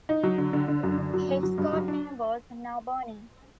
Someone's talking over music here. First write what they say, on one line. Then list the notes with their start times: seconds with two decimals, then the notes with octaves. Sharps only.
His code name was "Narbonne".
0.09 D#4
0.23 F#3
0.38 D3
0.53 D3
0.68 D3
0.83 F#2
0.98 D3
1.14 F#3
1.28 F#2
1.43 F#3
1.58 G2
1.73 F#3
1.88 D4